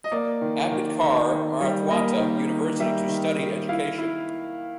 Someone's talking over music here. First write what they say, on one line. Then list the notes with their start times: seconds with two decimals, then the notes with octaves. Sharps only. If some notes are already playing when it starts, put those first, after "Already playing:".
Ambedkar Marathwada university to study education.
0.04 D#5
0.11 A#3 D5
0.41 D#3
0.71 D#3
1.01 D#3
1.31 D#3
1.61 G3
1.90 A#3 D#5
2.20 D#3
2.50 D#3
2.80 G3 E5
3.09 D#3
3.38 D#3
3.69 E4 F5
3.98 E4